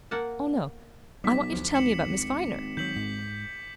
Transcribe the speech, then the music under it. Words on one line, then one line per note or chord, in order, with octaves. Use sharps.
"Oh, no. I want you to tell me about Miss Viner."
A#3 F#5 A5
B1 G3 D6 B6
D2 F3
G#1 C#7 E7 F#7
D#3 F#3 G6 B6 F#7
G#2